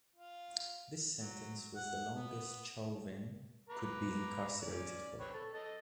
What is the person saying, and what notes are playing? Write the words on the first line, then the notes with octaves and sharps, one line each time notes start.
This sentence was the longest Chauvin could be incarcerated for.
F4
F#3
F#5
B3
B4 A#5 D6
C#4 D5
C4 B4 C#5
A4
A4 D#5